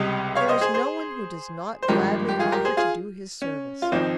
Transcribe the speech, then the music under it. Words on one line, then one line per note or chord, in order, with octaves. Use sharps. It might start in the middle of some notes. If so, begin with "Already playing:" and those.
There is no one who does not gladly offer to do his service.
Already playing: C#2 C3 G3 D#5 G5
C#5 F5
C5 D#5
G#4 C5
G#4 C5
C5
G#1 G2 F3 G#3 G4 A#4
G4
F4 G#4
G4 A#4
G#4 C5
F4 G#4
C#4
F4
G#1 F3 C4 D#4